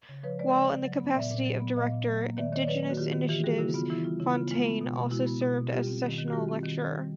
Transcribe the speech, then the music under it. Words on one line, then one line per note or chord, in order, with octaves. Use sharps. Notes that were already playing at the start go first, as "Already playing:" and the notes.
While in the capacity of Director, Indigenous Initiatives, Fontaine also served as Sessional Lecturer.
C#3
F3 B4 C#5
G#3 C5 D5
C#3 C5 D5
C#3
F#3
B3
A#2 D5 E5
A#2
F#3
B3
A#2 D#5 F5
A#2
F#3
A#3
D#3 D5 E5
D#3 C#5 D#5
D5
F#3 B4 C#5
A#3
F#4
D#3 F4 G4
D#3
E3 F4 G4
G3 F#4 G#4
C#3 E4 F#4
B3 F4
E3 E4
G3 F4
C#3 E4
B3 F4
G#3 F4
B3
B2
B2
G#3 E4 F#4
B3
B2
B2
G3 F4 G4
C4
D#3
D#3
F#4
G3 F4 G4
C4
D#3
D#3
G3